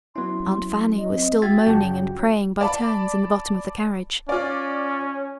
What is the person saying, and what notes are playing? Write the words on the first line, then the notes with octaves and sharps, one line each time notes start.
Aunt Fanny was still moaning and praying by turns in the bottom of the carriage.
F#3 B3 C#4 E4 C6
D#5
C4
F#4 E5 G5 G#6 A6
F#2 C#3 G3 F4 F#4 G5 A5
C#5
D5 A5 B5
C#4 F4 D5